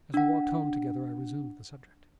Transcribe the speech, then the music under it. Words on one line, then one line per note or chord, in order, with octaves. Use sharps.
As we walked home together I resumed the subject.
D4 F#5